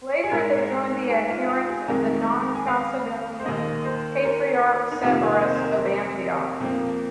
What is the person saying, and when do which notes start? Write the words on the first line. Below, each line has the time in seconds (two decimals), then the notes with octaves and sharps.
Later, they joined the adherents of the non-Chalcedonian Patriarch Severus of Antioch.
0.24 G#4
0.31 G#2 G#3 A#4
1.10 G#4
1.30 F4
1.49 F4
1.69 G#4
1.88 F2 D#3 G#3 A#4
2.55 G#5
2.67 F5
3.40 C5
3.45 D#2 D#3 A#3 D#5
3.85 C5
4.25 A#4
4.92 D#4
5.03 F2 C3 D#3 A#3 F4
5.23 G#4
5.42 C5
5.56 C5
5.61 A#4
6.60 F2 F3 A#3